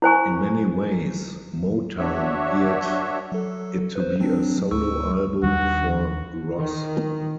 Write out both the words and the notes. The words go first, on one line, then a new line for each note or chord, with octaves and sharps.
In many ways, Motown geared it to be a solo album for Ross.
E4 C5 G#5 C#6
D4 F#4 C#5 E5
F#3 A4
B4 C5
F#3 C4 D4
D2 C#6 E6
D#2 D#3 D4 F#4
D#3